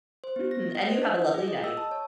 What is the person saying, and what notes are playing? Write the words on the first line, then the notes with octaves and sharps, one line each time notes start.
Mhm, and you have a lovely night.
C5
B3
A#6
D#5
C5
D4
G6
G#4
D#5
E6
A5
C#5